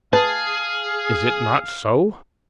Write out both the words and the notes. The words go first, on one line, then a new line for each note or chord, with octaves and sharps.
Is it not so?'
G#4 B4 F5 A5